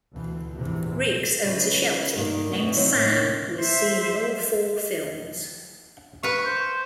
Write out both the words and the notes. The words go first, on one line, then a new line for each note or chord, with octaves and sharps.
Riggs owns a Sheltie named Sam who is seen in all four films.
D2 B2 E3
A#1 E2 G#2 C3 E3
C#3 F4 B4
G2 D#3 A#3
F2 B2 D3 A3
D#3 F#3 B3 C4 D#4 E4
D#2 A2 A#3
C5 E5
B4 F5 C#6
C5